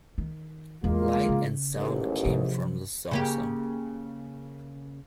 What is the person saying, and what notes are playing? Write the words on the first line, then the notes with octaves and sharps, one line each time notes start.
Light and sound came from the saucer.
D#3
E2 G3 G#3 A#3 F4
C#3
A1 D#2 G#2
C3 F3
C#3 A#3 G4